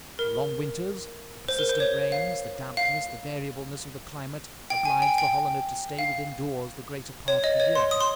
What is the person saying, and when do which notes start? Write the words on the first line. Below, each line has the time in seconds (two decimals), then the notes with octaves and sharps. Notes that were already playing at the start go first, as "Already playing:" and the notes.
The long winters, the persistent rains, the dampness, the variableness of the climate, obliged the Hollander to stay within doors the greater part of the year.
0.19 A#4
1.48 C5
1.59 A#4
1.69 C5
1.80 C#5
2.12 F5
2.77 F5
4.70 G5
4.85 G#5
5.02 G5
5.18 G5
5.99 F5
7.28 C#5
7.44 D#5
7.60 C#5
7.75 C6
7.91 D#6
8.01 C6